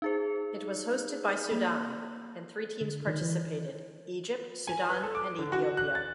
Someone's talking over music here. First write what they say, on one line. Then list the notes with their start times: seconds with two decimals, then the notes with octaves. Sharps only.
It was hosted by Sudan, and three teams participated: Egypt, Sudan, and Ethiopia.
0.02 D#4 G#4 C5
1.51 A#3
2.81 D3
3.07 D#3
3.21 E3
4.67 G#5
4.90 B4
5.03 A4
5.15 D6
5.39 D3
5.52 F#4
5.77 F#6
5.95 A6